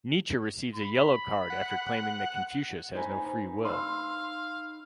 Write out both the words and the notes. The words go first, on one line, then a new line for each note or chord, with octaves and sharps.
Nietzsche receives a yellow card after claiming that Confucius has no free will.
B5
F#5
D#4 B4 C5 G#5 A#5
F5 C6 E6